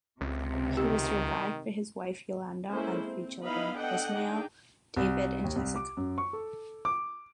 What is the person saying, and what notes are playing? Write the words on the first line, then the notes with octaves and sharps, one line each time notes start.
He was survived by his wife Yolanda and three children: Ismael, David, and Jessica.
C#2 C3
D#3 G4
G#3 A#3 C#4 E4 A4 C5
C4
B3 D#4 E4 D#5 F5 B5
D4 A4 D#5 F#5 G5
D4 D#4 G#4 G5
C2
D#2
C2
D6
F#2
C#6
A4
D6